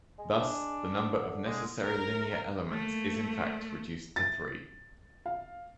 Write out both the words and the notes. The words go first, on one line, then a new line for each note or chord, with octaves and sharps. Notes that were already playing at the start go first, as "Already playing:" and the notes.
Thus the number of necessary linear elements is in fact reduced to three.
G#3
D4
D3
G#3
A#4
A3 A#3
A6
F5